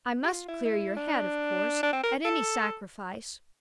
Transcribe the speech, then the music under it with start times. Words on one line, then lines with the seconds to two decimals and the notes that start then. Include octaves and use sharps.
I must clear your head, of course, at any sacrifice.
0.24 G4
0.33 F4
0.48 E4
0.65 E4
0.97 D4
1.83 D4
1.93 C4
2.03 A#4
2.25 A4